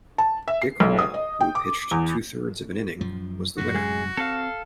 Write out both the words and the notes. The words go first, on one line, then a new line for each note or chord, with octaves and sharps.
Dick Hall, who pitched two-thirds of an inning, was the winner.
A5
E5
C7
B1
D#6
D#5
G5
D6
E2
F#2 F3
F#2 A2 C3 F#4
G#3
C4 A4 F5